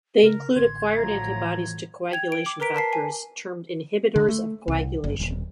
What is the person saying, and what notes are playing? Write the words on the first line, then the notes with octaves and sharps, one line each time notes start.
They include acquired antibodies to coagulation factors, termed inhibitors of coagulation.
C#3 A#4
A1 D3 C6 G#6
A2 F3 F#3 A#5
E3
G5 G#6 F7
D7
D6
A#4 B4 A#5 B6 D7
A#4 A5 B6 C7
G#5
D3
A3
C2
F#1
D#1